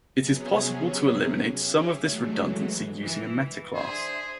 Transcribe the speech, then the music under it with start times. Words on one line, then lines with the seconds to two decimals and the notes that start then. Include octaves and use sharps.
It is possible to eliminate some of this redundancy using a metaclass.
0.12 C3 F#3 B3 C#4 G#4
1.54 G4 G#4 C#5 E5 F5
1.96 E3 F#3 G#3 A3
3.02 E3
3.74 D4 G#4 C5 E5 C6